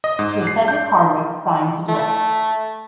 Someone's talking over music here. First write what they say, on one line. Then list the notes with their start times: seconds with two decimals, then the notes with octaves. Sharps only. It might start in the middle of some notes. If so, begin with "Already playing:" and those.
Sir Cedric Hardwicke signed to direct.
0.04 D#5
0.19 G#2
0.47 C7
0.68 G6
1.89 A3